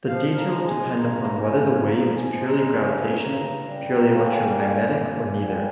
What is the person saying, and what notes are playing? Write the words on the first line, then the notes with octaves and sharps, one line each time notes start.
The details depend upon whether the wave is purely gravitational, purely electromagnetic, or neither.
F3 F5
A#5
G#3
G#5
G2 A#5
G2 G#5
F3 A#5
G#5
G#3
A#5
G2 G#5
G2 A#5
G3
A#5
A#3
G#5
G2
G2
G3